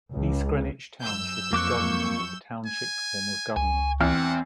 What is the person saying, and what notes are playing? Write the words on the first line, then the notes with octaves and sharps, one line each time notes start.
East Greenwich Township is governed under the Township form of government.
C#2
F#2 E6 G6
F2 A#3 C#6 D6 F#6
G#5
C#2 G#5
E2 C4 F#5 F6